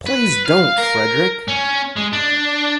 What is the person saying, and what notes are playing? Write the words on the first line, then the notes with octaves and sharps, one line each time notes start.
Please don't, Frederick!
B4
F5
A#4
C#4
G#3
D4